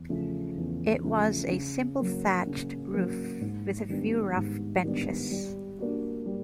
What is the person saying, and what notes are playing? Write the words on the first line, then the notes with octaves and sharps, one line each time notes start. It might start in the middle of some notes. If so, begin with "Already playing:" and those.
It was a simple thatched roof with a few rough benches.
Already playing: E2
C#3 F3 A3
E2
C#3 F3 A3
C#3
F#3 A#3
C#3
F#3 A#3
G#2
D#3 G3 B3 D4
G#2
D#3 G3 B3 D4
G3
A#3 D4 F#4
G3